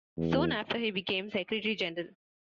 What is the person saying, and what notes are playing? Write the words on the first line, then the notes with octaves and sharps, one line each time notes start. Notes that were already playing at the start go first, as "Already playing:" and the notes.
Soon after, he became Secretary General.
E2